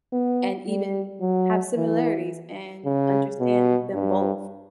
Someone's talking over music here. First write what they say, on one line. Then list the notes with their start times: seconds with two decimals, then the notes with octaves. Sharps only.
and even have similarities and understand them both,
0.13 B3
0.67 G3
1.21 F#3
1.77 E3
2.85 C#3
3.40 B2
3.94 G2